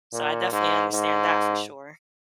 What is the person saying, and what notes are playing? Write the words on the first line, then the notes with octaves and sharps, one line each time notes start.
so I definitely understand that for sure.
A#2
G#2
G#2